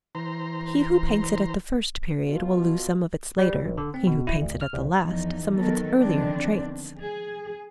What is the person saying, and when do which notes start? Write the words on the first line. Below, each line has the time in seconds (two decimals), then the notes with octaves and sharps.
He who paints it at the first period will lose some of its later, he who paints it at the last, some of its earlier traits.
0.15 E3 C5 A#5 C6
2.24 B2 F4
3.39 G3
3.65 A#1
3.77 D3
3.94 C4
4.07 B2
4.27 E4
4.41 D2
4.61 F6
4.73 C2
5.06 E2 F3 D#4
5.56 D#3 F#3 B3 A4 A#4
6.00 D3 D#3 F3 B3 C4 D4
7.01 G#4